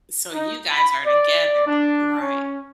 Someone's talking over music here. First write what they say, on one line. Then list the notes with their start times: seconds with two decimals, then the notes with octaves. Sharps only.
So you guys are together, right.
0.33 D#4
0.71 B5
1.05 D5
1.66 D4
2.20 C#4